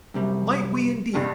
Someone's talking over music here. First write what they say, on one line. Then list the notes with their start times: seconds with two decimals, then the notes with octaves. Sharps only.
Might we indeed!
0.14 F#2 C3 G3
1.13 F#1 C2 G2